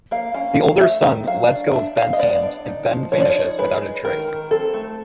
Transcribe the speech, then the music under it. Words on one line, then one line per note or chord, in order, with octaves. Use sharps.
The older son lets go of Ben's hand and Ben vanishes without a trace.
A#3 F5
C#4 F5
F3
A3 E5
D#3
F#3 F5
D4
D4 E5
B3 F5
D#5
B3 D5
D4
D#4
F3
F3 C#5
D5
C#5
D#4
G#3 B4
G#3
D#3 A#4
D#3
C4 A4
A3